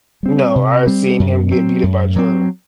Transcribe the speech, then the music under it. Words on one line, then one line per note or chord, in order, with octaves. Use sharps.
No, I've seen him get beat up by Jordan.
G3 C4
C3
G3 C4
F#2
F#3 C4
F#2
F#3 C4